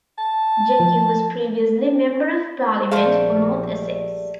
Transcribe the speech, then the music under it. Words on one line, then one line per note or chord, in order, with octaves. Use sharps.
Jenkin was previously Member of Parliament for North Essex.
A5
F3
A#1 F3 G3 A3 G#4 A#4 C5 F5